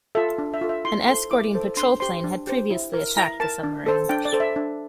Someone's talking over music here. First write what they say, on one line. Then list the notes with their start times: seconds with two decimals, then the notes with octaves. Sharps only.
An escorting patrol plane had previously attacked the submarine.
0.15 F4 A4 E5
0.38 D4
0.54 E5
0.61 F4 A4
0.69 E5
0.85 E4 C6
1.08 A4 C5 C6
1.31 E4 D6
1.55 A4 C5
1.77 D4 C6
2.00 G4 C5 C6
2.24 D4
2.47 G4 C5
2.70 E4
2.93 A#4
3.17 E4 A#5
3.40 A#4 A5
3.63 D4
3.86 A4 C5
4.09 D4 G5
4.25 D5
4.33 A4 C5
4.40 E5
4.56 D4